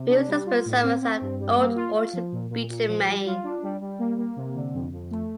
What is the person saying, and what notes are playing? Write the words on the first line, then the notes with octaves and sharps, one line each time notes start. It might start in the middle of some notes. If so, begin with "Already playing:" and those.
We used to spend summers at Old Orchard Beach in Maine.
Already playing: C3
D4
G3
F4
A2
C4
C4
G2
G3
A#3
F4
F4
F3
A#2
A#2
A#2
F3
G3
F4
D4
G3
G3
A#3
A#3
C3
D3
F2
F2
A3